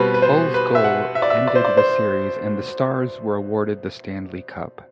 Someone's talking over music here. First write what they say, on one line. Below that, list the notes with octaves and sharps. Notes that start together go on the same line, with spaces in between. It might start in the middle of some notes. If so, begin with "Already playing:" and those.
Hull's goal ended the series and the Stars were awarded the Stanley Cup.
Already playing: B2 G3 C4 B4
B4
C5
B4
E5
F#5
E5
D5
E5
D5
C5
D5
C5